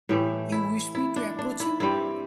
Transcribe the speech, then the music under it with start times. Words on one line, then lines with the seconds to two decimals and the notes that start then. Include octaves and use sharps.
You wish me to approach him?
0.09 A2 E3 A3 G4
0.52 E4
0.95 E4
1.16 D4
1.39 D4
1.60 E4
1.80 G2 G3 C4 E4